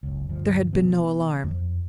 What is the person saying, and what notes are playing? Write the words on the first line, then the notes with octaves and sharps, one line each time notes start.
There had been no alarm.
F#1 C#2
D2 G2 F3
B2 E3 A3 B3
F2